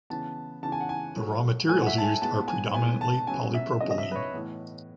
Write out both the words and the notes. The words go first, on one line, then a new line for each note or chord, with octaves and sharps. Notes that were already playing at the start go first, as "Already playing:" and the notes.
The raw materials used are predominantly polypropylene.
C#3 E3 B3 A5
C#3 E3 B3 A5
G#5
F#5
G#5
A2 F#3 A3
A2 F#3 A3 G#5
F#5
E5
A5
G#5
A2 G#3 B3 A5
G#5
A2 G#3 B3 G#5
A5
C#3 F#3 B3 G#5
E5
C#3 F#3 B3 D#5
D#5
E5
B4
C#5
A2 E3 B3